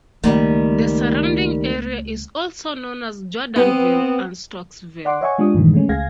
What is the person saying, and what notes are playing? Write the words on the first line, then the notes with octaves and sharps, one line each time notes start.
The surrounding area is also known as Jordanville and Stocksville.
C#2 D#3 G3 A3 A#3
B3 C4
D5 F#5 C6 D6
C#5 D#5 E5 F#5 G#5 C#6
G#3 D4 F4 G4 D#6
G2 A#2 D#3 E3 G3 G#3
G#3 A3 C#4
C#2 G#4 F5 G#6 A#6